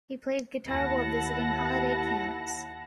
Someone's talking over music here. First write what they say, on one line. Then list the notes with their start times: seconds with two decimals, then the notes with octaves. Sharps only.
He played guitar while visiting holiday camps.
0.66 D#2 E4 F#5 A5 A#6